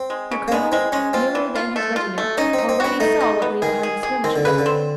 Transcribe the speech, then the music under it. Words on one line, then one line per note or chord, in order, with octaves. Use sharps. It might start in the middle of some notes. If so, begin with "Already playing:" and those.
The Colonel, nearer than his regiment, already saw what lay behind the skirmishers.
Already playing: C4
G#3
C#3
A#3
G#3 B3
G#3 C4
G#3 C#4
C4 F4
E3
F4
A3
F4
A3
C#4 D#4
C4
D#4
C4
B3 F#4
A3 D#4
D#4
B3
D#3 G#4
G#4
G#4
D#3 C4
D3
C#3 B4
D3
C4